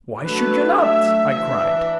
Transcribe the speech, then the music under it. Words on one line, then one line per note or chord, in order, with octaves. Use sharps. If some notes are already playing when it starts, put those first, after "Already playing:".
"Why should you not?" I cried.
F#3 A3 D4 B4
E5
E3 D4 E5